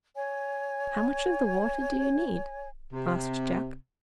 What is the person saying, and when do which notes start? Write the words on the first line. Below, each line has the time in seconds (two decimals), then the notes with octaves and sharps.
"How much of the water do you need?" asked Jack.
0.15 C#5 G#5
2.93 C3